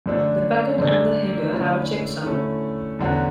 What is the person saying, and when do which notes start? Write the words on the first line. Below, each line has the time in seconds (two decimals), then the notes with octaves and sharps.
The packet and the header have a checksum.
0.06 F#2 D3 A3 D4
0.79 F#2 D3 A3 D4
1.52 D3 A3 C#4 E4
2.26 D3 A3 C#4 E4
2.99 E2 D3 F#3 C#4 F#4